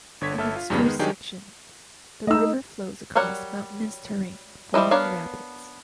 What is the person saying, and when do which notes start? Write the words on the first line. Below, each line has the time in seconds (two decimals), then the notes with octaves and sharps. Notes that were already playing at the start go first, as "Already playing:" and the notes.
In its first section the river flows across mountainous terrain forming rapids.
0.21 G1 D3 C#5 G#6 B6
0.38 G1 A4 E5 F6
0.56 F4
0.70 F2 G#2 C#3 G3 B3
0.83 D#3 G#3 B3
0.99 D#3 F#3 D4 D#4 G4 G#4
2.27 A3 D#4 D#5 E6
3.15 F#3 G3 A#4 C#5 F#5
4.74 F3 G3 G#3 E4 D#5
4.91 B3 D4 A#4 C#5 F5